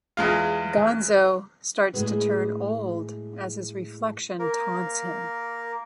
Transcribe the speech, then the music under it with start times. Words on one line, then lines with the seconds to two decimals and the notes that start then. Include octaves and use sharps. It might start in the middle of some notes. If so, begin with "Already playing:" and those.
Gonzo starts to turn old as his reflection taunts him.
0.17 E2 G#3 F4
1.93 A2 G#3 B3 G#4 B4
4.39 A#3 A#4